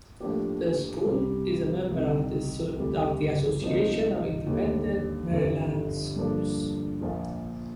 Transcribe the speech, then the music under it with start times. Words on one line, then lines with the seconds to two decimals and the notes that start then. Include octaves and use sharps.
The school is a member of the Association of Independent Maryland Schools.
0.20 A2 F3 A#3 D4 G4
1.06 C2 C3 G3
1.91 C2 C3 D#3
2.76 D2 C3 G3
3.61 C2 C3 F3 A#3 D#4
4.46 D#2 D3 G3 A#3
5.31 G1 F2 D3 G3
6.16 G2 D3 F3 A#3 D4
7.01 A#1 A#2 F3 A#3 F4